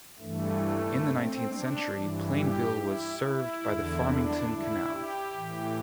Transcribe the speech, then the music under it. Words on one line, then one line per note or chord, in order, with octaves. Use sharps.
In the nineteenth century, Plainville was served by the Farmington Canal.
G2 E3 A3
C4
D4
G2 E3
G4
E4
E4
E2 D3
D4
E4
G4
A2 E3